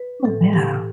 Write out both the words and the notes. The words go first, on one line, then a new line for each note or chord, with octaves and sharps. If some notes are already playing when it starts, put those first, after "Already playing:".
Oh, yeah.
Already playing: B4
A2 E3 A4
G4